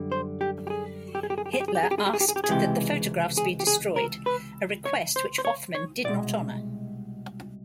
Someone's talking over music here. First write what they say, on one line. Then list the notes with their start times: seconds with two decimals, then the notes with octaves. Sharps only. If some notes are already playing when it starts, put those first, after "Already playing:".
Hitler asked that the photographs be destroyed, a request which Hoffmann did not honor.
Already playing: F#2 D3 G3
0.12 C5
0.41 G4
0.67 G4
0.70 G#4
1.15 G4
1.23 G#4
1.30 G4
1.38 G#4
1.46 G4
1.53 G#4
1.60 G4
1.68 G#4
1.75 G4
1.83 G#4
1.91 G4
1.98 G#4
2.06 G4
2.14 G#4
2.21 G4
2.29 G#4
2.36 G4
2.44 G#4
2.49 C#2 C3 E3 G#3 G4
3.37 G#4
3.60 G4
3.67 G#4
3.96 A#4
4.26 B4
4.85 C#5
5.16 C5
5.38 C5
5.45 C#5
5.75 C#5
6.04 C2 B2 G#3 D5